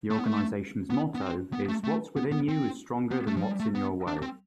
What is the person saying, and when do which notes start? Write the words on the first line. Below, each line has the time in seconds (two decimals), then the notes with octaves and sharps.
The organization's motto is What's Within You Is Stronger Than What's In Your Way!
0.10 A3
0.18 B3
0.25 A3
0.90 B3
1.15 B3
1.21 C4
1.53 B3
1.68 A3
1.84 A3
2.16 B3
2.32 B3
2.48 C4
3.11 B3
3.27 A3
3.36 F3
3.43 G3
3.60 A3
3.75 B3
4.07 D4
4.22 C4